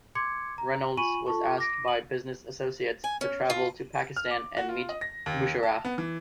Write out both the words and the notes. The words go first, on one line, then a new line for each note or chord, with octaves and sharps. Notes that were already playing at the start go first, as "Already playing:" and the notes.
Reynolds was asked by business associates to travel to Pakistan and meet Musharraf.
C6 D6 G#6 C#7
A#5
F4 G#5 B5 C#6 D#7 F#7
F4 A4 A5 C#6
D6 A#6 D7
F#7
G#5
C#4
F4
F6
D6
F#4
F4
D#5
A#6
D#2
A5
B3
E3